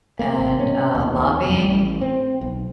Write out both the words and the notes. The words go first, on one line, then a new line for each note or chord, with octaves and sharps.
and, uh, lobbying.
A#3
G#1
C#4
D#2
D#2
F2
A1
C4
B1